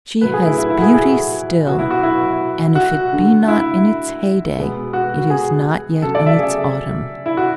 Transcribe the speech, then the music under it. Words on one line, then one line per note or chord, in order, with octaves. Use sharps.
She has beauty still, and if it be not in its heyday, it is not yet in its autumn.
A2 F#3 A3 B4
G#4
E4
E4
E4
F#4
G#4
G#4
B2 F#3 B3 F#4
E4
F#4
E4
F#4
D3 A3
E4
B2 G#3 B3
F#4
G#4
C#3 F#3 A3 A4
D5
E5
G#4
E4
F#4